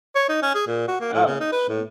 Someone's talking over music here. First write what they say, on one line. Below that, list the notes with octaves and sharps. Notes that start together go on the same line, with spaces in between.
Oh, that's a shame.
C#5
D#4
C#4
G#4
A#2
F#4
A#3
A2
C#3
D#4
B4
A2